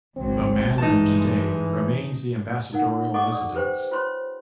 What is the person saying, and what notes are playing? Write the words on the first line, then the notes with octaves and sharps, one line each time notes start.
The manor today remains the ambassadorial residence.
G#1 C#2 F#3 C4
G2 E3 G#3 D#4 A5
D#4 A#4 F#5
A4 D#5 F#5 C#6 D6
D5 D#6
G4 B4 C5 G5
F4 C5 C#5 C6